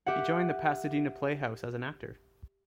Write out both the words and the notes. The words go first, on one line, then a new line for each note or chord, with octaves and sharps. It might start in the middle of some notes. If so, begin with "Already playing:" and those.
He joined the Pasadena Playhouse as an actor.
G4 E5 F#5